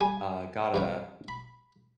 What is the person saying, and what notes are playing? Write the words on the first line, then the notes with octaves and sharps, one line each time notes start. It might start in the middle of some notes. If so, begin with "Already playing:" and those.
uh, got a
G3 G#5
G2 E3 C#4
B5